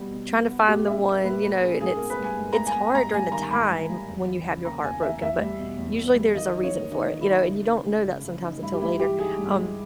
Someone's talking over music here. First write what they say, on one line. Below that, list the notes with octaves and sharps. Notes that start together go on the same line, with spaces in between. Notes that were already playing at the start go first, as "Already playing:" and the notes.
trying to find the one, you know, and it's it's hard during the time when you have your heart broken, but usually there's a reason for it, you know, and you don't know that sometimes until later, um,
Already playing: B2 G3 B3
B2
B2
B3
A#2 G4
C#4 E5
A#3
A#2 B4
A#2 B4
C#4 G#4
G#2 G#4
B3 A#4
B4
G3 G#5
G#2
G#2 A#5
G#5
B3
G#2 A#5
G3 G#5
D#3 A#5
G#2 B5
G#2
G3
E2
E3
C#3
A#3 A#5
E2 G#5
E3 E5
E2 E5
G3
B2
E2
E2
G3
D#3 D#5
D#4
C#5
A#3
D#3 D#4
D#3
E4
D#4
C#3
D#4
G#3
C#3
C#3
D#4
G2 E4
G4
G#3 E4
E3 G4
D#4 G#4
G2
G#3